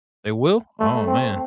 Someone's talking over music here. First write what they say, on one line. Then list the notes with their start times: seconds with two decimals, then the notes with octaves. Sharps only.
They will? Oh man.
0.80 A3
1.07 C4